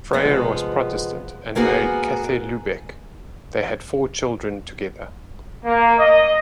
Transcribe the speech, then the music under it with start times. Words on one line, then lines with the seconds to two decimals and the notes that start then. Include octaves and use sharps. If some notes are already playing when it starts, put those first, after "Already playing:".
Freyer was Protestant and married Käthe Lübeck; they had four children together.
0.13 C3 F3 G#3 B3
1.55 G#2 A#3 B3 F#4 G#4
5.65 A#3
5.99 D#5